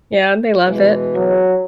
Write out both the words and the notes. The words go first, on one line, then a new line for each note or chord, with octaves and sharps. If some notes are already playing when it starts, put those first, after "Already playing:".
Yeah, they love it.
B2 E3 G#3
F#3